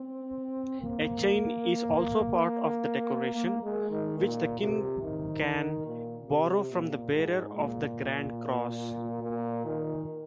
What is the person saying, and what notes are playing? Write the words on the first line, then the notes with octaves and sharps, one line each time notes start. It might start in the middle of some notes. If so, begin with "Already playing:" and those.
A chain is also part of the decoration, which the King can borrow from the bearer of the Grand Cross.
Already playing: C4
A#3
A#3
G#3
D#3
A#2
C3
D#3
A#2
C3
A#2
G#2
A#2
A#2
D#3